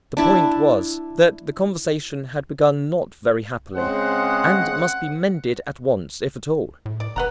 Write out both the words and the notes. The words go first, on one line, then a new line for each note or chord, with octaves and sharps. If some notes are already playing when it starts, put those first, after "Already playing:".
The point was, that the conversation had begun not very happily, and must be mended at once if at all.
D4 E4 A5
C#3 G#3 C4 C#4 C5 F#5
A2
D5
F#1 B4 F#5 A#5